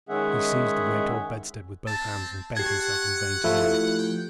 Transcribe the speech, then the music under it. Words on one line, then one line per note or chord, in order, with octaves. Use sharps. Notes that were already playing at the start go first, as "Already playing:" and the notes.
He seized the great old bedstead with both hands, and bent himself in vain to move it.
D#3 G#3 C#4 G#4 E5 F#5
C4 A5
G4 F#5 G#6
F3 A3 E4
G5